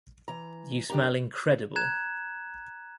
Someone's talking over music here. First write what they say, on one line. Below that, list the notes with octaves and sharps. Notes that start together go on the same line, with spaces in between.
You smell incredible.
E3 A#5
F#2 D4 G4 F#5 A#5
A#5 F#6 G#6 E7